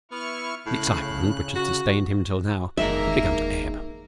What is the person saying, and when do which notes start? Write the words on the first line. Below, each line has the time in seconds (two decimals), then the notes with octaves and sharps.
The excitement which had sustained him till now had begun to ebb.
0.11 B3 E4 C#6 F6
0.67 A2 C#3 F#6
1.55 F#4
2.77 F#1 E2 D#3 G#3 A#3 A#4 E5